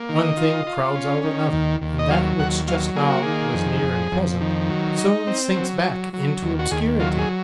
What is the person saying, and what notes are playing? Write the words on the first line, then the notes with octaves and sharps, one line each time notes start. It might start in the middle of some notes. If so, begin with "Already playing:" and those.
One thing crowds out another, and that which just now was near and present soon sinks back into obscurity.
Already playing: A#3
D#3
D#5
F4
F4
C#4
D#3
D#2
D#2
D#5
F#3 F5
D#2 F#5
F#3 F5
A#3 G#4
F#4
D#3 G#4
F2
F2
F2
D#3
F#3
D#4
C4
F#3
F#3
F#3
D#2
F#4
D#2 G#4
F#3 F4
G#4